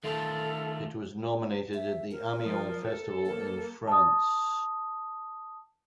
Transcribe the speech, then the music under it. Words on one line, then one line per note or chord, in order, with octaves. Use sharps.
It was nominated at the Amiens festival in France.
D#3 A3 F4 A4
E5
A#4
F3
A4
A#3
A5 D#6